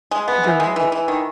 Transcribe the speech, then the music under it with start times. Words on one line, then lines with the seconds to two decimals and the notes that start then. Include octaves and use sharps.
You're right.
0.11 G#3
0.28 B3
0.44 E3
0.60 G#3
0.76 E3
0.92 E3
1.08 D#3